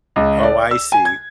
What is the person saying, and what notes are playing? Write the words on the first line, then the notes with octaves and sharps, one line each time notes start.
Oh, I see.
C#2
D5
E6
G#5
G#6